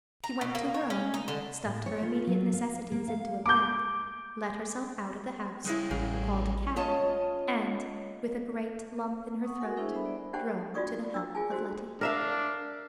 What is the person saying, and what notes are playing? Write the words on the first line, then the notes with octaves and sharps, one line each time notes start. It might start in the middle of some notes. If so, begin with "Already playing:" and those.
She went to her own, stuffed her immediate necessities into a bag, let herself out of the house, called a cab, and, with a great lump in her throat, drove to the help of Letty.
A#5
B2
A#3
C#5
C#4
D#4
D3
A2
C#5
F4
F#3
F5
A#3
F5
D6 G6
C#3 G3 G#3 E4 C#5
A1 C#3 G#4
C#3 C#4 F4 D#5 A5
F#5 C#6 D#6
F#4 A4 A#4 F#5 G#5
B3 D4 E4 G#4 C5 E5
G3 D4 A4 C5 E5 B5
D5
D4 G4 C5 F#5 A5 C#6
F4 F#4 D5 C#6 D#6
D4 E6
F4 G#4 G#5 A5
F#4 G4 C5
D4 A#4 E5 F5